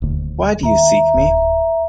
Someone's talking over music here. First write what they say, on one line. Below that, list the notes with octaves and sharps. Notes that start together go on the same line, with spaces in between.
Why do you seek me?
D#1 D2
D#2 E5 A#5
D1